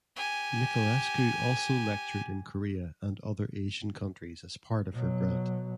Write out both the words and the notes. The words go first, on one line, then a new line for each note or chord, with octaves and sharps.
Nicolescu also lectured in Korea and other Asian countries as part of her grant.
G4 G#5
B2 F#3